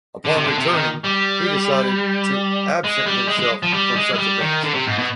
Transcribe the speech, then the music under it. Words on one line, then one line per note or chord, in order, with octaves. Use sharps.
Upon returning, he decided to absent himself from such events.
D3
C3
D3
C3
D#3
G3
G#3
G3
G#3
G#3
F3
G3
G#3
G#3
G3
D#3
D3
C3
G#2
B2